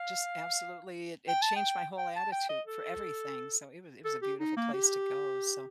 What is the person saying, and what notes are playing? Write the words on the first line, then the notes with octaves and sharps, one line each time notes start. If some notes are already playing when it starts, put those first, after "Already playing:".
just absolutely, it it changed my whole attitude for everything, so, it was it was a beautiful place to go. So,
Already playing: F5
G5
A5
G5
G5
A5
G5
D#5
A4
A4
G4
D#4
A#3
G4